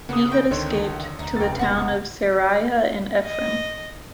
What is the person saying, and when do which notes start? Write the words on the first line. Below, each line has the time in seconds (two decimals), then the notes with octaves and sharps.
Ehud escaped to the town of Seraiah in Ephraim.
0.09 C#3 A#3 B3 F#5 D#6
0.32 G5
0.51 C#2 D3 D#3 C#5 C6
1.19 D2 D#4
1.37 F1 C#2 G5 A6
1.59 D1 G3 B3 F#4 A#5
3.25 D#5